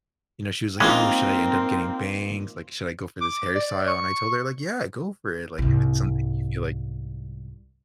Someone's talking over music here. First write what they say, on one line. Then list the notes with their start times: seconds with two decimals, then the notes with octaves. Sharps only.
you know, she was like, "Oh, should I end up getting bangs? Like, should I go for this hairstyle?" And I told her, like, "Yeah, go for it. Like, if it's something you feel like
0.80 E3 G#3 A#3 C4 C#4 D#4 F4 A#4
3.21 D6
3.56 D5
3.88 C#6
5.58 C2 G#2